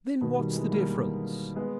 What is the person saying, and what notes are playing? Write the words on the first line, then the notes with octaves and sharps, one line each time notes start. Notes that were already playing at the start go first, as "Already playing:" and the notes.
"Then what's the difference?"
B2 D#3
D#3 G3
E3 G#3
G3 A#3
G#3 B3